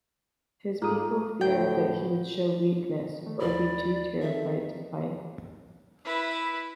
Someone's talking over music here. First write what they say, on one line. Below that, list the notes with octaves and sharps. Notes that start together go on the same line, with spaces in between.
His people feared that he would show weakness or be too terrified to fight.
G#2 A#3 F4 G#4 A4 D#6
D2 A2 G5
D#3 A3
D#2 E4 D5 B5
C4 A4 E5
E4 B4